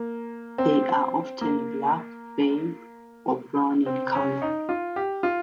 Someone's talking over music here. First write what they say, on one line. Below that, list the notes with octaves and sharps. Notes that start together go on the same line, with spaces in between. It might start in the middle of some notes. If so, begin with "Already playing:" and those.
They are often black, bay or brown in color.
Already playing: A#3
C4
A#3
C4
C#4
D#4
F4
G4
F4